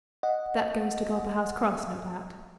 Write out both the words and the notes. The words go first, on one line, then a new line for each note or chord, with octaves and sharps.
That goes to Copperhouse Cross, no doubt.
D#5 F#5